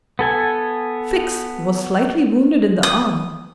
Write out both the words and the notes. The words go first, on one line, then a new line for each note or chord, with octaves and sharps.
Fix was slightly wounded in the arm.
B3 A4 G#5
D#6